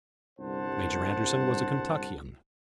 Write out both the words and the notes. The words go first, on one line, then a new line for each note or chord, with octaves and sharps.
Major Anderson was a Kentuckian.
G1 C2 G2 C5 F#5 A5